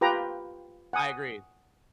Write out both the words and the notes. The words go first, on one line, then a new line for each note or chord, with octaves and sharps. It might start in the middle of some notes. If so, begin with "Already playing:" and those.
I agree,
F4 G4 B4 G5 A#5
F#5 G#5 D#6